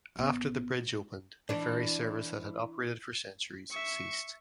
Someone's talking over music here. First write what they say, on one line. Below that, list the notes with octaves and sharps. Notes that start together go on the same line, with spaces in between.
After the bridge opened the ferry service that had operated for centuries ceased.
A1 B3
E3 D4
E5 C#6